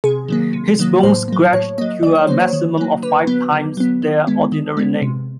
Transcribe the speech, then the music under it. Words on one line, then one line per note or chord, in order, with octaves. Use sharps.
His bones stretch to a maximum of five times their ordinary length.
C3 G#4
D#3 F#3 A#3
C3
D#3 F#3 A#3
A2 C5
F#3 A#3
A2 C#5
F#3 A#3 D#5
D#3 D5
C#5
F#3 A#3 C5
C#5
D#3
F#3 A#3
D3 B4
F#3 B3
D3
F#3 B3
D#3
G#3 B3
D#3
G#3 B3
C3